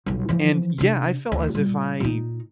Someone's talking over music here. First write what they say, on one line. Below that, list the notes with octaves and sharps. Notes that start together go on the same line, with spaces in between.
And, yeah, I felt as if I
D#1 B1
E3 F3
C3 D4
D2
A#2 G3
A#2 D#4